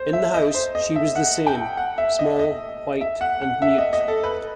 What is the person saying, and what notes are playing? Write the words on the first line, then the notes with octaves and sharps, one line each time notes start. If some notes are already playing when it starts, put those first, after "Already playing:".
In the house she was the same — small, white, and mute.
Already playing: C5
E5
D#5
C5
D#5
E5
F#5
G5
F#5
E5
D#5
D#5
E5
F#5
F#5
E5
D#5
D#5
A4
B4